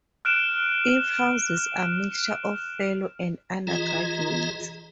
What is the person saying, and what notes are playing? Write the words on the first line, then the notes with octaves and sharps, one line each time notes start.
It houses a mixture of fellows and undergraduates.
F6 F#6 D7 E7
E3 F4 G#4 D#5 A#5